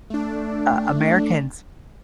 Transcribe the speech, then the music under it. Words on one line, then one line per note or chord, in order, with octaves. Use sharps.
uh, Americans
A3 D4